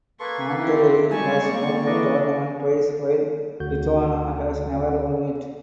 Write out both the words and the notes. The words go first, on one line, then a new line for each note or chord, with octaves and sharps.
Monterrey has won the tournament twice while Tijuana has never won it.
A#3 A4 B4 C6 C#6 G#6
C4 E4 G4
G3 G#3 C4 G#4 G#5 A5 C#6
A#3 D5
E3 D4 D5 D#5
D2 D3 F#4 G6